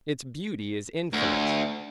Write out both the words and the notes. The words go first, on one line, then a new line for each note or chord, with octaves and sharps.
Its beauty is infinite.
D2